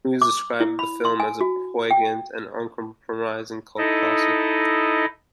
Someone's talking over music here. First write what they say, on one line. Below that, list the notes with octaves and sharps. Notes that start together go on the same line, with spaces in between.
Movies described the film as a "poignant and uncompromising cult classic".
D6
E4
B5
C6
G#5
F#4
G5
D#4 E4 A4 D#5